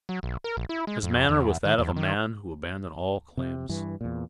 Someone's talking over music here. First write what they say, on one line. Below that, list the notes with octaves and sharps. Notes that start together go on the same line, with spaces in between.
His manner was that of a man who abandoned all claims.
F#3
B1
A#4
A#1
E4
G#3
F2
E2
D#3
E2
D#3
C3
G2 E3
E2 A#2